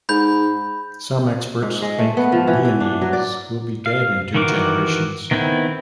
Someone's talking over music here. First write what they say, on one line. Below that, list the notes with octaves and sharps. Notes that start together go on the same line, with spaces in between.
Some experts think Leonese will be dead in two generations.
G#2 B5 G6
G#2
G#3
A3
B3
F3
E3
E3
D4
F#3
D5
F5
D#3 E3 F#4 A#4 D6
D#3 B3 C4 E4